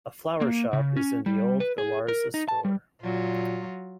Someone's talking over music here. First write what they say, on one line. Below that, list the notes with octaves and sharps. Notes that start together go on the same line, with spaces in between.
A flower shop is in the old Galarza store.
A#3
C#3
C#4
G3
B4
G#4
A#4
D#4
A5
G3
A#2 F#3 F4